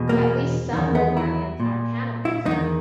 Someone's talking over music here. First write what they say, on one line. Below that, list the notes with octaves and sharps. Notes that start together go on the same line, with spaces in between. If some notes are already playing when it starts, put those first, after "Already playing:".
At least some nobargans are cannibals.
Already playing: E2 B2
A#3
E2 D#3
B3
E4
A#2
E4
E2 D#3 D#4